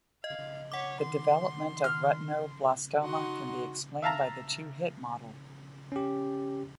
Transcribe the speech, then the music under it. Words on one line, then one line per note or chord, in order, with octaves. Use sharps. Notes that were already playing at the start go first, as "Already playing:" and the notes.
The development of retinoblastoma can be explained by the two-hit model.
D#5 F5
C#5 F#5 D6
D#3 C6
F6
D#4 F#4 F#5 C6
E5 F5 A5 A#5
C#4 G4